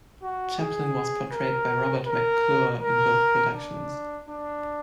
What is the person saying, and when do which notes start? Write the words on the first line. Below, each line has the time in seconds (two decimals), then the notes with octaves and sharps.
Chaplin was portrayed by Robert McClure in both productions.
0.22 F#4
0.58 G#4
1.32 A#4
2.06 A#4
2.81 A#4
3.54 D4
4.29 D4